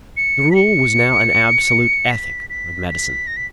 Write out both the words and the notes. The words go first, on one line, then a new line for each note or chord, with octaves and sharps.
The rule was now an absolute ethic of medicine.
C#7
B6
C#7
B6
B6
B6
A#6
B6